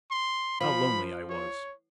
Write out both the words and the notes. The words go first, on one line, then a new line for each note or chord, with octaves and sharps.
How lonely I was!
C6
F3 B5
C#5